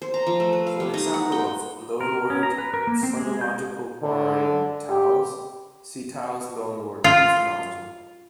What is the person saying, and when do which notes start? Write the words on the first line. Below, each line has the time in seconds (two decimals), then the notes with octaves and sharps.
For an example of loanword phonological borrowing in Taos, see Taos loanword phonology.
0.02 C5
0.14 A#5
0.27 F3
0.40 A3
0.53 B4
0.67 F5
0.80 G3
0.94 D#4
1.14 F#5
1.32 G5
2.01 A#4
2.30 C#4
2.43 A#5
2.58 B4
2.74 A#4
2.87 A#3
3.03 C4
3.17 G#3
3.41 G6
4.03 D3
4.90 G4
7.04 F4